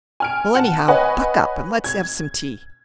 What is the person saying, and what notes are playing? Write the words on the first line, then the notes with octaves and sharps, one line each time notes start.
Well, anyhow, buck up, and let's have some tea.
G#5 F6 D7
F#5 A5
B4 C#5 D#5 F#5 G#5
G#6